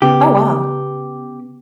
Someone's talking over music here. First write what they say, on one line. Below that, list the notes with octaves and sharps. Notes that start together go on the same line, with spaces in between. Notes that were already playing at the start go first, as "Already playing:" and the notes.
Oh, wow.
C#3 B3 G4